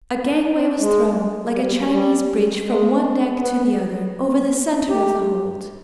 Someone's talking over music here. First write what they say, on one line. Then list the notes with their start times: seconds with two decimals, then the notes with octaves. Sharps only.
A gangway was thrown, like a Chinese bridge, from one deck to the other, over the centre of the hold.
0.42 D4
0.55 C4
0.80 G#3
1.54 G3
1.66 G3
1.79 G3
1.91 G3
2.66 G#3
3.40 B3
4.89 G4